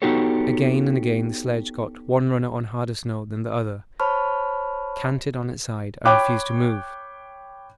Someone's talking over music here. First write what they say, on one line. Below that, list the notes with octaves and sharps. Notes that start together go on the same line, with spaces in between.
Again and again the sledge got one runner on harder snow than the other, canted on its side, and refused to move.
B3 D#4 F#4 G4 A4 C#5
C5 C#5 A5 B5 C#6 F6
C#5 G5 B5 D6 F#6